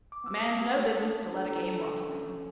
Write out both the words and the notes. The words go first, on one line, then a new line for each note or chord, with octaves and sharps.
"A man's no business to let a game ruffle him."
D6
B3 E6
D#6
G4
D4
A4 A#5
A4
C#4